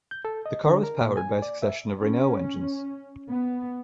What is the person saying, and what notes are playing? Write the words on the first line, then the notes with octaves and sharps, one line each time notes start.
The car was powered by a succession of Renault engines.
G6
A4
D#5
D3
A#4
A#2
G#5
D5
E5
C#4
B3